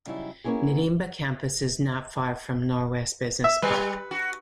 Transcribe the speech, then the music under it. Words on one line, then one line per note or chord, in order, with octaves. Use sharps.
Nirimba campus is not far from Norwest Business Park.
C#3 F#3 G3 D#4 E4
A#3 B3 C#4 E4 G#4
E5
G3 B4
F#4